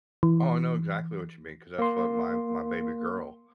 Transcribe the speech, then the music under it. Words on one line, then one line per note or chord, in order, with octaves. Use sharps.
Oh, I know exactly what you mean, 'cause that's what my my baby girl,
E3
A#3 C6